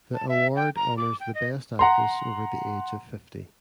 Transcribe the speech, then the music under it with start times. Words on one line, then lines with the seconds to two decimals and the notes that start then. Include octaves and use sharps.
The award honors the best actress over the age of fifty.
0.14 A5
0.29 E5
0.56 G5
0.76 A#5
0.98 D6
1.20 G5
1.35 D#5
1.79 F#5 A#5 C6